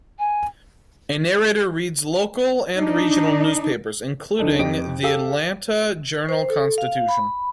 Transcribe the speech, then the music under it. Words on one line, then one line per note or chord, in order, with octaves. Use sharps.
A narrator reads local and regional newspapers, including the "Atlanta Journal-Constitution".
G#5
D4 D#4
D1 D3 D4 D#4 A4
F2 D#4 G4 D7
G4 A4 F5 E6
C5
A4
F5
B5